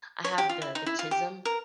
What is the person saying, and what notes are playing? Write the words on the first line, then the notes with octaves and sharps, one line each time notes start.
I have the the 'tism
C#5
G4
F4
E4
D#4
E4
F4
G4
A#4